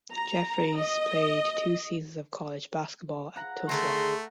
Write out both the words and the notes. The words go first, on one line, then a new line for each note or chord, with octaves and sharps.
Jeffries played two seasons of college basketball at Tulsa.
A#5
D#5
F#5 A#5
D3 D#3 A3 G#4 A#5 C6